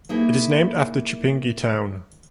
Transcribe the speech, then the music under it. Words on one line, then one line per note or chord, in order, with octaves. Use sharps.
It is named after Chipinge town.
A#3 D#4 E4 G#4